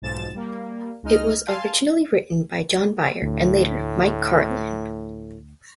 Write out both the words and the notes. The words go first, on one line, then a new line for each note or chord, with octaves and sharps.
It was originally written by John Byrne and later, Mike Carlin.
B1 G#2 F3 A6 E7
G3 A#3
C#2 G#3 D#4 D#5 F6
F5 G#5 A5 C6
D2 A2